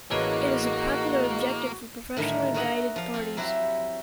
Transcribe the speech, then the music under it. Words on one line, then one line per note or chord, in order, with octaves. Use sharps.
It is a popular objective for professionally guided parties.
A1 A#3 E4 F#4 G#4 B4 C#5 D#5
A2 D3 D#3 G3 G4 A#4
F#4 A#4 C#5 D#5 E5 F#5
F3 F5
C4 F4
F#3 E4 F#4 G4 C5